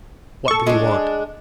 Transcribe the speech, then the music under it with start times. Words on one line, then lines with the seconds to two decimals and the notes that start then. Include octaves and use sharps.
What did he want?
0.48 A4 C#6
0.67 G#3 D4